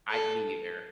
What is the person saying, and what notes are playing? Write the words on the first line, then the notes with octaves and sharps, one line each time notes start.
I me either.
A4